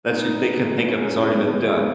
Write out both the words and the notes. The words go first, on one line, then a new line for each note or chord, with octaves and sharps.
that you think of think of has already been done.
B3 D#4
B3
A#3 C#4
G#3 B3
G#3 B3